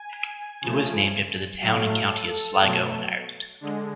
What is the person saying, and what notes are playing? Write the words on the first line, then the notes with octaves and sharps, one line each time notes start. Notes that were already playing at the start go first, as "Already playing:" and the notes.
It was named after the town and county of Sligo in Ireland.
Already playing: G#5
C#3 F3 A3
A2 F#3 A3 F5
A4
B2 F#3 A3
D3 G#3